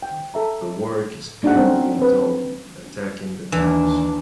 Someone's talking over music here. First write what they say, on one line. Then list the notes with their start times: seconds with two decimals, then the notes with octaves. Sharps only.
The work is angry in tone, attacking the papacy.
0.02 G5
0.34 A4 E5 A#5
1.43 A#3 D4 D#4 F#4 F#5
1.55 A3 C4 C#4 A#4
1.99 C4 B4
3.52 D#2 E3 D4